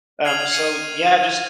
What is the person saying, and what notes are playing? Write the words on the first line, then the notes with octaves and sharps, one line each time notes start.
Um, so, yeah, just
F6 G#6 C7 F7 F#7
G#6 C7 C#7 D#7